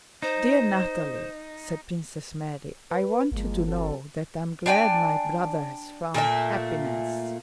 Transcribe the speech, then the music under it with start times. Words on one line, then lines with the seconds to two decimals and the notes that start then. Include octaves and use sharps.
"Dear Natalie," said Princess Mary, "I want you to know that I am glad my brother has found happiness...."
0.22 D#4 C5
2.91 B4
3.32 G1 F3 G#3 A#3
3.66 F#3 C4 A4
4.66 D4 D5 G5 G#5
6.14 A#2 A3 A#3 E5